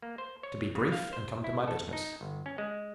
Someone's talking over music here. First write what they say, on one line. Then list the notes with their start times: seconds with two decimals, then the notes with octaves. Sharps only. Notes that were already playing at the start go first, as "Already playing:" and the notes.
To be brief and come to my business.
0.02 A#3
0.18 C5
0.43 C#5
0.75 C#3
0.92 F5
1.13 C5
1.44 E4
1.68 A4
1.93 D#4
2.21 G1
2.46 C#4
2.58 G#3